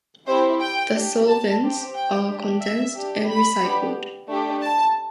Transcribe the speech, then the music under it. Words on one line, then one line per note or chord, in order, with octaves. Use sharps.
The solvents are condensed and recycled.
C4 E4 G4 C5
G5
D4 G4
A5
C4 G4
G5
D4 G4
E5
D4 G4
B5
B3 D4 G4
A3 D4 G4
A5